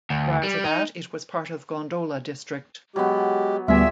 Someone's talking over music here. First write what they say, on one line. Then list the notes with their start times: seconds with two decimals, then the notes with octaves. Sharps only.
Prior to that it was part of Gondola District.
0.10 D2
0.43 G3
0.64 D#4
2.96 F#3 G#3 B3 G4
3.68 D2 A#2 G3 B3 G4 G#4 D#5 E5